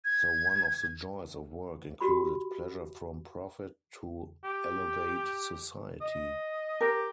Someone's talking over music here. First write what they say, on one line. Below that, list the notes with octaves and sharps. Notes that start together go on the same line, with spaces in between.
So one of the joys of work included "pleasure from profit" to elevate society.
G#6
F#4 G4 B5
G4
D#5
G4 A#4